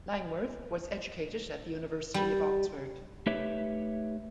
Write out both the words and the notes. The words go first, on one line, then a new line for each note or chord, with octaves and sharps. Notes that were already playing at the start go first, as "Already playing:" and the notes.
Langworth was educated at the University of Oxford.
G3
A3 D#4 G4 B4 C#5 E5